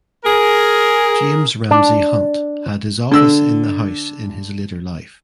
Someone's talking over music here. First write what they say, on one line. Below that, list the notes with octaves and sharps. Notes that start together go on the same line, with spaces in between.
James Ramsay Hunt had his office in the house in his later life.
G#4 A#4
D4
D3 E6